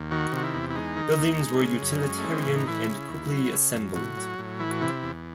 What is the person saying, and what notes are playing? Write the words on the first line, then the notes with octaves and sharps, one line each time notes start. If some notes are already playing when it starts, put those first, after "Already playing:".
Buildings were utilitarian and quickly assembled.
Already playing: D#2
D#3 F#4
C3 F#4
E4
E2
E4
G#3 D#4
D#3
D#2
G#3
C#3
F#2
D#4
G#3 C#4
A3
E3
C4
A2 C#4
D#4
E3 E4
C#3
D#2
F#3
C#3
F#2
A2 F#4
F#3
A2
E3 E4
F#4
C3 E4
E2